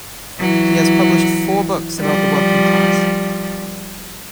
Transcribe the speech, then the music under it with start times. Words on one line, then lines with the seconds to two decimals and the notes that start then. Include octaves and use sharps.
He has published four books about the working class.
0.40 E3 F#3
2.00 F3 G3